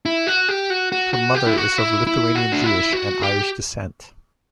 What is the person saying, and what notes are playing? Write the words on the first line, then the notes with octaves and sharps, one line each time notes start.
Her mother is of Lithuanian Jewish and Irish descent.
E4
F#4
G4
F#4
F#4
F#4
G4
E4
F#4
E4
E4
F#4
D4
E4
F#4
G4